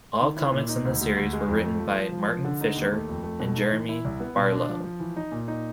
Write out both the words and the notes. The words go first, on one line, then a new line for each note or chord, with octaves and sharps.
All comics in this series were written by Martin Fisher and Jeremy Barlow.
D#3
E4
A#2
D#4
D2
D2
D2
G#3
F2
A3
F3
F3
F3
F3
D3
D#4
D#2
A3
F2
A3
B2
D#4
E3
E4
C2
B3
B2
D4
F3
F3
E3
D#4
A#2
D#4